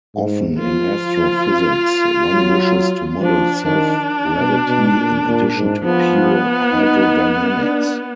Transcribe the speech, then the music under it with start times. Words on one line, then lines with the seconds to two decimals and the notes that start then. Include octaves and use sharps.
Often in astrophysics, one wishes to model self-gravity in addition to pure hydrodynamics.
0.15 G#2
0.58 F3 F4
2.33 F#3
3.21 F3 D4
3.65 D#3 D4
4.39 B2
4.67 B2
4.96 A#2
5.26 A#2
5.55 G#2
5.84 F3 B3
6.72 D#4
7.60 D4